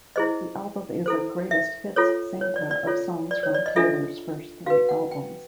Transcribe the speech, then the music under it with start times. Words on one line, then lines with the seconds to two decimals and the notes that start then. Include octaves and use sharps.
The album is a "greatest hits" sampler of songs from Taylor's first three albums.
0.16 E4 G#4 C5 D#5
1.06 E4 A4 C5
1.51 E5
1.96 F4 A4 C#5
2.41 C#5
2.56 D5
2.71 D5
2.87 F4 A4 C#5
3.31 D5
3.43 C#5
3.54 D5
3.66 D#5
3.76 D4 F4 A4 E5
4.66 F#4 B4 F5
4.89 F#5
5.11 G5